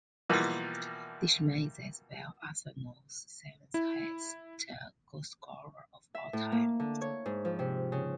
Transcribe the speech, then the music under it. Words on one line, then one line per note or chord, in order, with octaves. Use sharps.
Lishman is as well Arsenal's seventh highest goalscorer of all time.
B2 E3 F3 G3 A#3
E4
E5
A2
A#3
D3
C#5
G#2
F3
C3
C#3